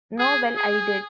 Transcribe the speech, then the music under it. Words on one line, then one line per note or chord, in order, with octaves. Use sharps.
No - well, I did.
G#4
G#4